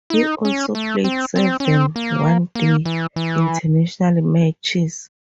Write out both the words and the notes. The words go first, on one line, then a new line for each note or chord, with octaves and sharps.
He also played seven One Day International matches.
E4
D#4
C#4
A3
C4
C4
C#4
C4
A#3
A#3
E3
E3